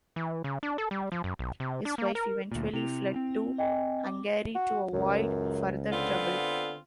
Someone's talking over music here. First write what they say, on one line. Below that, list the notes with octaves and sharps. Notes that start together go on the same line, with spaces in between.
His wife eventually fled to Hungary to avoid further trouble.
E3
C#3
D4
A4
G3
F3
F#2
B1
C3
D4
A#3
A#4
D2 A#2
C3 E4 F7
C4
D#5 G5 G#5
D6
F#4
C#2 F#2
D3 B3 C4 F4